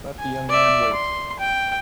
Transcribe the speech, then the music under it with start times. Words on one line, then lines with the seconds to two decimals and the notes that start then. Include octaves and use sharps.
Let the young man wait.
0.19 G#5
0.49 D5 E5
0.93 C6
1.39 G5